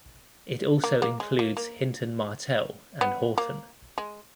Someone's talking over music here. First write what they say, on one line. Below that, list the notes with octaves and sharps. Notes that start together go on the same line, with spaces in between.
It also includes Hinton Martell and Horton.
A#3
A#3
G#3
A#3
A#3
B3
A#3
G#3